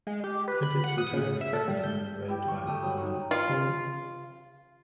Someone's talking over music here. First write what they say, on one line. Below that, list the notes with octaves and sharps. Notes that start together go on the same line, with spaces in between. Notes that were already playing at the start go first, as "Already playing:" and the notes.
Critics returned a second time and raved about his dynamic performance.
G#3
G4
B4
B5
F#5
D#6
C#3
C#3
E5
A4
G3
G6
E4 G4 G5
C#6
A3 G4 D6 D#6
F#3 B5
D#4 C#6
F4